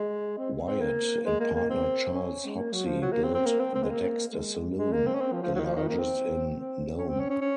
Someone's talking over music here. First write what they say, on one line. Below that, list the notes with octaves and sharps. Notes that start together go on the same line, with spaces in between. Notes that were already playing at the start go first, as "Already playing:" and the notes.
Wyatt and partner Charles Hoxie built the Dexter Saloon, the largest in Nome.
Already playing: G#3
C4
C4
A#3
G#3
A#3
A#3
C4
C#4
G#3
A#3
F#3
F3
F#3
A#3
C4
C4
A#3
C4
C4
G#3
A#3
A#3
G#3
G#3
A#3
C4
C#4
C4
F3
F3
F#3
D#3
F3
D#3
A#3
C4
C4
C#4
C4
C#4
C#4
C#4